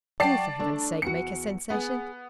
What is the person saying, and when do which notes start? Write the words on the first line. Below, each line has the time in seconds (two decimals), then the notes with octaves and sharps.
Do for Heaven's sake make a sensation.
0.20 F#3 C#5 D5 G5 A5 C7
0.59 A3 D4
1.02 E2 F#4 C#7
1.70 B3 G#4